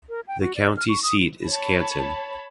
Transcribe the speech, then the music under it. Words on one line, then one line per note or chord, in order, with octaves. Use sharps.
The county seat is Canton.
A#4
G5
F#4
D5
F6
C#6
D#6
C#5 A5 B5